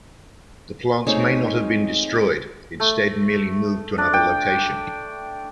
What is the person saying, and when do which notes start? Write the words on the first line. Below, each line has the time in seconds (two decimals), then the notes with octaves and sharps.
The plants may not have been destroyed, instead merely moved to another location.
1.07 A3 C4 D#4 G#4 C5 C#5
2.80 A3
3.98 D4
4.13 G5